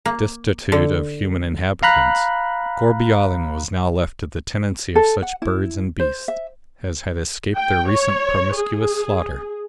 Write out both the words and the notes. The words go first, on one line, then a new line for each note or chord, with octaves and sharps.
Destitute of human inhabitants, Gourbi Island was now left to the tenancy of such birds and beasts as had escaped the recent promiscuous slaughter.
A#3
D3
F5 A#5 B5 F#6
A4
F#5
E4
C5
E5
G5
C#5
G#4